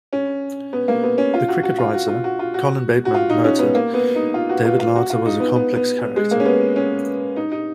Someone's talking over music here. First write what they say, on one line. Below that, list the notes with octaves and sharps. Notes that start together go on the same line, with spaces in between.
The cricket writer, Colin Bateman, noted, David Larter was a complex character.
C#4
B3
A#3
B3
C#4
F4
F#4
F#4
F4
F#4
F4
F#4
F4
F#4
F#4
F4
D#4
C#4
B3
A#3
B3
D#4
F4
F#4
F4
F4
F#4
F4
D#4
B3
B3
B3
G#3
A#3
C#4
B3
C#4
D#4
D#4